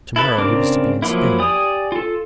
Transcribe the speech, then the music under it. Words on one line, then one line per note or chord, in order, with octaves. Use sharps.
To-morrow he was to be in Spain.
E4 A4 B4
C#3 C4 D4 A#4 D6
F3 F#3 A#3 E4
G4 D5 G#5 D#6
F4 A4